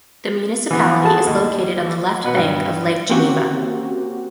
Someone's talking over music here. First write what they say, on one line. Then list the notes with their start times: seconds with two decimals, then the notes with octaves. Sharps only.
The municipality is located on the left bank of Lake Geneva.
0.71 E3 B3
1.03 F#4 G#4 A4 A5
1.27 D#2
2.24 B2 B4 F#5
2.37 G2
3.09 A#3 C4 C#4 F#4 G4